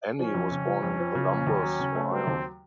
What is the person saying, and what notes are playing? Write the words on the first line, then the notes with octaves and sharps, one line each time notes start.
Annie was born in Columbus, Ohio.
F3 C#4
F2
C#3
F3
F2
F3
C#3
F2
D#2
F#3
C#3
A3
F#3 C4
D#2